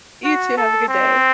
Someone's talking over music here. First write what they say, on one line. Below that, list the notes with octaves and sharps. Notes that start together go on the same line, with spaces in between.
You too, have a good day.
F#4
A4
C4